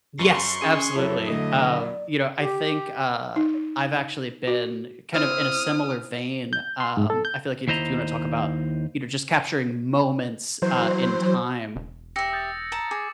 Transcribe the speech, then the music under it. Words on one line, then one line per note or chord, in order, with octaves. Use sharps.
Yes, absolutely, um, you know, I think, uh, I've actually been kind of in a similar vein, um, I feel like if you wanna talk about, you know, just capturing moments, uh, in time,
F#2 C6 C#6
C#4 G#4 D#7
F2 F#3 E4 A4 C#5
D3 A3 D#5
D5
G4
D#4
F#4
C4 E4 F5 D#6 F6
G6
C6
G#2
A4
G6
D#2 E4 C5 D#5 A#5
E3 F#3 C5
E1
G4 E5 E6 A#6 C#7
D#6 G6 A6
A5 A#5
G#4 D6 G6